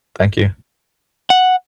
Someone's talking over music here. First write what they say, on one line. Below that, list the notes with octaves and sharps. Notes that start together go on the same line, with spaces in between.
Thank you.
F#5